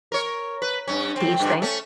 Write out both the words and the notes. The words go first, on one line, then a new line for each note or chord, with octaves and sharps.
to each thing?
A#4 C#5
B4
G2 C#4
F2 C4
G2 A#2 D3
A3 C#4